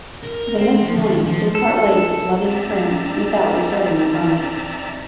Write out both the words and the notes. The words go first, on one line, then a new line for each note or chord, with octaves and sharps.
The next morning, they part ways as loving friends without restarting their romance.
A#4
C4
F3
D#2
F3
A4
C4 D#4 D5 E5 A5 A#5